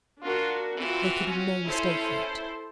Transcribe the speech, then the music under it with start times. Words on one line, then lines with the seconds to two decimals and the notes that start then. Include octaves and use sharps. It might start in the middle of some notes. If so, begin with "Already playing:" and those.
There could be no mistaking it.
0.22 D4 F4 F#4 A#4
0.78 E3 C4 F4 F#4
1.28 C#4
1.65 E4 A4 C5